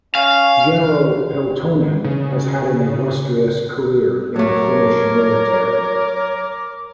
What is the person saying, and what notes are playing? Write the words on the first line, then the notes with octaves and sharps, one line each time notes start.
General Peltonen has had an illustrious career in the Finnish Military.
C#4 F5
C#3
F#3 A3 A#4 C#5 D6